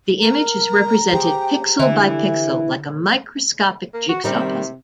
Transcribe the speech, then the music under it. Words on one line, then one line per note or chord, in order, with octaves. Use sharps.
The image is represented pixel by pixel, like a microscopic jigsaw puzzle.
A#4 A#5
G4 G#4 C5 G5
D3 E3 E4 G4
A#3
F#4
C3 D#3 G3 C4